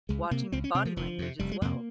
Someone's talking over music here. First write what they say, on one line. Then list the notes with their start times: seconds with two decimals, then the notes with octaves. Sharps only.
watching the body language as well.
0.09 C#2 G#3
0.31 C3 A#3
0.52 C#2 C4
0.64 C#4
0.75 C3 C4
0.85 F3
0.96 F1 F3
1.18 F2 C3
1.39 F1 G3
1.51 G#3
1.62 F2 C3 A#3